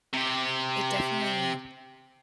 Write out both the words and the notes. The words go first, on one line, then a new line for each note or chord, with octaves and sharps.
it definitely,
C3 G4